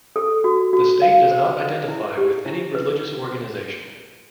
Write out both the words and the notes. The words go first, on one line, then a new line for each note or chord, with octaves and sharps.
The state does not identify with any religious organization.
A4
F#4
F#4
F5
C5
C5
E4
G4
E4
B4